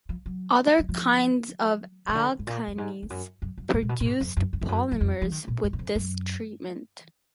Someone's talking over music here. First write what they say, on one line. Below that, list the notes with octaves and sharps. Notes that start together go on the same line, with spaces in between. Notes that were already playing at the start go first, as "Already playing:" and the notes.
Other kinds of alkynes produced polymers with this treatment.
F3
F#3
F#3
F3
B2
D3
G#2
A#2
F#2
G#2
F2
F#2
F#2
F#2
G#2
A#2
B2
A#2
G#2
F2
F#2
F#2
F2
F#2
F#2
F2
F3
D#3
A#2
G#2
F#2
F2
F#2